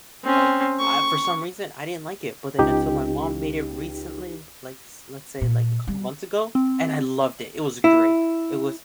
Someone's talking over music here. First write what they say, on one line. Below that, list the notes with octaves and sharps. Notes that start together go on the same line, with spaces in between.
Like, I for some reason, I didn't like it. But then until my mom made it recently, like, let's say, like, a couple months ago, and I loved it. It was great. It was
C4 C#4
C#6
C#2 D#4 G4 G5
A#2
G3
C4
E4